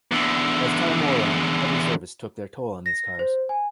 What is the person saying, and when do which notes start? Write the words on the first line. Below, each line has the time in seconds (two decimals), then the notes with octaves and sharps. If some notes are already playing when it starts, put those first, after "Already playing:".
As time wore on, heavy service took their toll on these cars.
0.11 E2 D3
2.86 A#6
3.19 C5
3.49 G#5